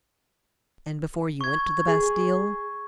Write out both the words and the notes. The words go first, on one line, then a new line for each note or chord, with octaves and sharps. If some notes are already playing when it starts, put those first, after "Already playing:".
"And before you went to the Bastile?"
C#6 G#6
G#4